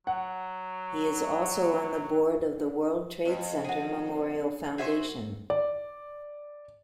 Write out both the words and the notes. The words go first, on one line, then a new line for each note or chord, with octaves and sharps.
He is also on the board of the World Trade Center Memorial Foundation.
F#3 F#5
F2
F#4 G#4
F#4 G#4 C5 E5 C#6
D5